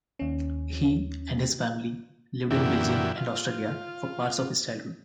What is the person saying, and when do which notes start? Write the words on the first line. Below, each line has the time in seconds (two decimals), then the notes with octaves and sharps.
He and his family lived in Belgium and Australia for parts of his childhood.
0.19 D#2 C#4
2.51 F#2 A#2 D3 E3 E4 G4
3.17 F4